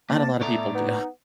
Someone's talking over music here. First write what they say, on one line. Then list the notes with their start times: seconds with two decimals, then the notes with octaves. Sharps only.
not a lot of people do.
0.10 D2 A#3 A5
0.41 A2 A3 B3 D5 A#5
0.74 B3 D#4